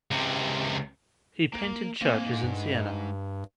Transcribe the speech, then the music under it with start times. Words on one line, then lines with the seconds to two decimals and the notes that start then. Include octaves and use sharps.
He painted churches in Siena.
0.11 C#2 C3
1.53 A#3
2.02 A#3 C4 G#5
2.26 G#2
2.44 G2